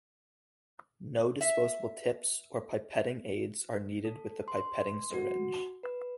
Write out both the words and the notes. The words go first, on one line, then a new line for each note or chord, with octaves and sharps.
No disposable tips or pipetting aids are needed with the pipetting syringe.
E5
A4
C6
F#4
B4